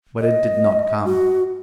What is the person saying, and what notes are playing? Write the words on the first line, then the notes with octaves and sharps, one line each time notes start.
But it did not come.
D#5
F#4